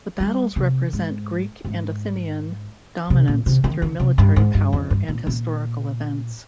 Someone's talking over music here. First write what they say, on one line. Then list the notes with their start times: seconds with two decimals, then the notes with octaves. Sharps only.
The battles represent Greek and Athenian dominance through military power and historical events.
0.20 G3
0.56 C3
0.93 G#2
1.65 G#2
3.10 C3
3.28 A#2
3.46 C3
3.64 D#3
3.82 D3
4.00 C3
4.18 G2
4.36 G#2
4.55 G2
4.73 F2
4.91 G2
5.08 A#2
5.27 A#2